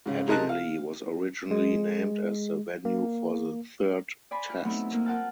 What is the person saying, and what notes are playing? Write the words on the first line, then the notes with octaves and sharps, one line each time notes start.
Headingley was originally named as the venue for the third Test.
G#2 C#3
C3 G#4 A#4 D#5 A5 F#6
F5
G#3
A#3
D5 G#5 B5 C6
F4
F#3 A3 B3 C4 D#4 E4
A#3 E4
F4 A#4 F#5 G5 A5 F6